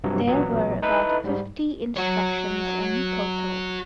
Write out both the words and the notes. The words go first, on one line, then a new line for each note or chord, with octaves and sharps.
There were about fifty instructions in total.
G2 C3 F3 F#3
A1 A#2 F#3 B3
D#4 E4 A4 B4
G#2 G3
F#4 C#5